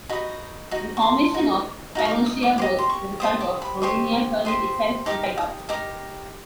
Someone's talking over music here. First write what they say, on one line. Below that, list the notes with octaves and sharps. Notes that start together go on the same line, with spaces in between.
The formation of Pannotia was the result of Rodinia turning itself inside out.
D#4 F#4 D#5 B5
D#4 F#4
C#6
C6
D#4 F#4
D#4 F#4 A#4 D#5
C#6
D6
D#6
D6
G4 C5 D#5 D6
C6
C#6
G4 C5 D#5 D#6
D6
B5
G4 C5 D#5 C#6
G4 C5 D#5
D#4 G4 A#4 D6
D#6
D#4 G4 A#4 D6